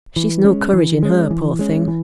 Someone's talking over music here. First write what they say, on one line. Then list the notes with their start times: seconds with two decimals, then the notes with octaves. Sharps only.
She's no courage in her, poor thing!'
0.16 E3
0.44 G#3 C#4
0.73 E3
1.03 G#3 C#4
1.30 E3
1.59 G#3 C#4
1.88 E3